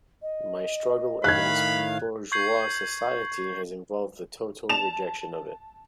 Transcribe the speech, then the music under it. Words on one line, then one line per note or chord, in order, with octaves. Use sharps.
My struggle against bourgeois society has involved the total rejection of it.
D#5
A2 D#3 F5 B5 F#6 G#6
C#6 G6 G#6 C7 F#7
A5 E7 F7